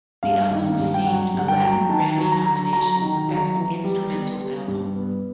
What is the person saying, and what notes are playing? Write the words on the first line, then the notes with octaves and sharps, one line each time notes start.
The album received a Latin Grammy nomination for Best Instrumental Album.
G2 F5
D#3
G2
G5
F#3 F#5
G2 F#5
G5
F#3
D#3 A5
F#3
A#5
F#3
F#3 A#5
D#3
F#3
E3
G3
B3
G3
G2
B3